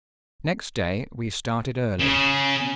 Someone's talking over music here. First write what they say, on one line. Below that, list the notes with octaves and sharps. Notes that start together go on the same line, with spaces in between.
Next day we started early.
C#3